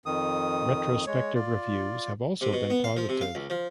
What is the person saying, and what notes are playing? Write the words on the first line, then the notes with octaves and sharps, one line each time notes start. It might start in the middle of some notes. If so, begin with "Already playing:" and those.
Retrospective reviews have also been positive.
F2 D#3 D#6
G#3 C#5
F4 D5
C3
B2
B3
F5
F3
C3
F5
C#2
F3